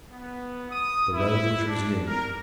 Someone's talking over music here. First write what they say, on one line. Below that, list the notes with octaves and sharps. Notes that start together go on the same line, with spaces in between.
The road was resumed.
B3
D#6
E4
D4
A#4